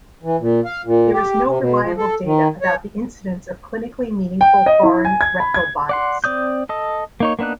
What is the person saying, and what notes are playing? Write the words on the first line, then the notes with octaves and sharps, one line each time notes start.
There is no reliable data about the incidence of clinically meaningful foreign rectal bodies.
E3
A#2
F5
A#2
G4
C3
B2
F3
A4
D#3
C#5
G5
D#5
E4
G#5
G#6
B5
G#6
D5 F#5 C6
C4 D5 D#6 G6
A4 D#5
A#3 D#4 C#5
A#3 B3 D4 D#4 F#6